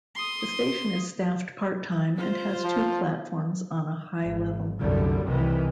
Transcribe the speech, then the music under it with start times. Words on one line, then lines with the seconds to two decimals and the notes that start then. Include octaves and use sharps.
The station is staffed part-time and has two platforms on a high level.
0.15 C6 D#6
2.17 F4 C5
2.64 F3
4.23 G#1
4.79 C2 F#2 D3 G3 A3
5.26 C2 C3 D#3 E3